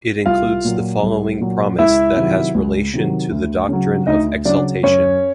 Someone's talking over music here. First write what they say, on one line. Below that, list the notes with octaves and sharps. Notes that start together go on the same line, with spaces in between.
It includes the following promise that has relation to the doctrine of exaltation.
C2 F4 F5
A#2 F#3
C2
A#2 F#3
C#2 E4 E5
C3 D#3 F#3
C#2
C3 D#3 F#3
D2
C#3 F#3
D2 D#4 D#5
C#3 F#3 D4 D5
F#2 C#4 C#5